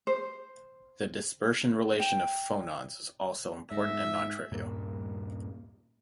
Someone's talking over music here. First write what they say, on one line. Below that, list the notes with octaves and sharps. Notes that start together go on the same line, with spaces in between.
The dispersion relation of phonons is also important and non-trivial.
C5
G5
G#2 E5
D#1 G2 A#2